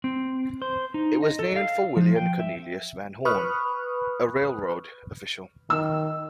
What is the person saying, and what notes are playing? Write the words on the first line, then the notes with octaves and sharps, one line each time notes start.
It was named for William Cornelius Van Horne, a railroad official.
C4
C5
D#4
D#5
A4
F5
F3
G5
E5
B4 B5 C#6 D#6 F6 F#6
D#3 E6